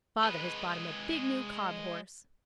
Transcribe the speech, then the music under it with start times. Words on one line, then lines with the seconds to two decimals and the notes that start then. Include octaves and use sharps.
Father has bought him a big new cob horse.
0.23 G#3 B4